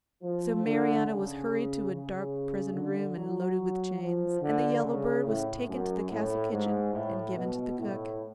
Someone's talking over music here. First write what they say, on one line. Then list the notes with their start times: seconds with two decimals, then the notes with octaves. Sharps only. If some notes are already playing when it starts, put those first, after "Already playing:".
So Marianna was hurried to a dark prison-room and loaded with chains, and the yellow bird was taken to the castle kitchen, and given to the cook.
0.23 F3
0.64 D3
1.06 C#3
1.90 C#3
2.74 D3
3.16 F#3
4.00 F3
4.42 D3
4.84 C#3
5.26 A2
5.68 F#2
6.10 A2
6.52 G#2
6.93 A2
7.36 B2
7.78 A2